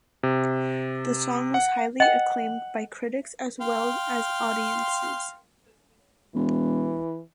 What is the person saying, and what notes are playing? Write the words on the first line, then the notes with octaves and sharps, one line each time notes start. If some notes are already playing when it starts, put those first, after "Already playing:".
The song was highly acclaimed by critics as well as audiences.
C3
F#5
D#5 F#5 G5
F5 G5 C6
E1 E3